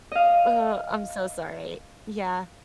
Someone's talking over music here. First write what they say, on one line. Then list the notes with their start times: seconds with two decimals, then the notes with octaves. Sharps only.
Oh, I'm so sorry. Yeah.
0.12 D#5 F5